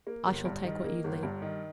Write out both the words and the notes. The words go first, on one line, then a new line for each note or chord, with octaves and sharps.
I shall take what you leave.
A#3
G1
G2
D#3
A#3
G1
G2
D#3